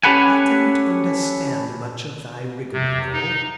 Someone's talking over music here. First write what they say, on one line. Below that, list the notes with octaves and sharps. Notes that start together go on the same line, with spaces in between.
"I don't understand much of thy rigmarole."
C#4 G4 A4 B4 F#5 G#5
C3
D#4